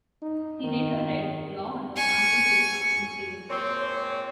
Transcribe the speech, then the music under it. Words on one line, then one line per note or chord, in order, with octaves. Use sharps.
He later read law under Samuel Putnam in Salem.
D#4
D#3
G#5 C#6
A#2 G#3 C4 C#5